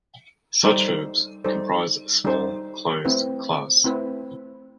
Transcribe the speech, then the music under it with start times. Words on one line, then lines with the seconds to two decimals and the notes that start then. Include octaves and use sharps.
Such verbs comprise a small closed class.
0.63 G3 D#4 A4 C5
1.44 G3 D#4 A4 C5
2.24 G3 D#4 A4 C5
3.05 A3 C4 E4 B4
3.84 A3 C4 E4 B4